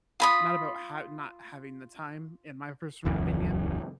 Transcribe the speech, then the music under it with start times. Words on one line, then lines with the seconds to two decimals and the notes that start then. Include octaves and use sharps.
not about ha not having the time in my personal opinion,
0.20 F4 B5 D#6
3.05 D#1 C#2 F#2 E3